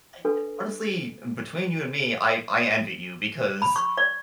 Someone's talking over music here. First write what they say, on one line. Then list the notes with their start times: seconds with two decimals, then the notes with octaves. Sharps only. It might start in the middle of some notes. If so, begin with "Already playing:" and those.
I, uh, honestly, between you and me, I I envy you, because
0.25 D4 A4 B4
3.62 B5
3.76 C#6
3.97 D5